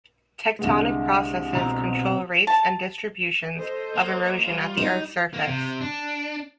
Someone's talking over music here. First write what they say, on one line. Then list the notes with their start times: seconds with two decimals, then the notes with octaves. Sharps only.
Tectonic processes control rates and distributions of erosion at the Earth's surface.
0.59 C2 D3 G#3
1.53 B2 C4 A#5
2.47 A5
3.57 A4 C5 D#5
3.95 A#3
4.45 G3 F4 F5
4.77 D#4
5.34 A#3
5.46 C3
5.81 D4